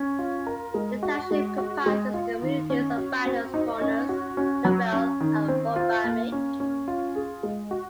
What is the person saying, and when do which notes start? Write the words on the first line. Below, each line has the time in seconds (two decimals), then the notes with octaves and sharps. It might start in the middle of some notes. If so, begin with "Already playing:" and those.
The township comprises the communities of Badger's Corners, Nobel, and Waubamik.
Already playing: C#4
0.19 F4
0.47 A#4
0.74 G#3
1.03 F#4
1.31 G#3
1.58 F#4
1.86 G#3
2.14 F4
2.42 D#3
2.70 C#4
2.98 F#4
3.26 C4
3.54 D#4
3.81 C#4
4.09 F#4
4.37 C#4
4.65 F#3
4.93 C#4
5.20 D#3
5.48 C4
5.76 F4
6.04 A#3
6.32 C#4
6.60 C#4
6.88 F4
7.16 G#4
7.43 G#3
7.71 F#4